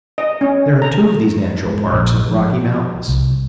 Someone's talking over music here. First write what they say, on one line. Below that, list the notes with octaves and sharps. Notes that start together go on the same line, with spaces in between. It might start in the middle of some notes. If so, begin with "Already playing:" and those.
There are two of these natural Parks in the Rocky Mountains.
D#5
C#4
A#5
G#2
A#1
F3
C2